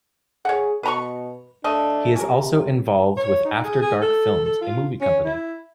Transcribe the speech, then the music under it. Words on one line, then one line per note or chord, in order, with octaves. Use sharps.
He is also involved with After Dark Films, a movie company.
G#4 C#5 F#5
B2 B4 A#5 C#6
A3 D4 D#5
C3 C#4 A#4
C#5
D#4
G#4
G#4
A4
A4
F4
C#4
E4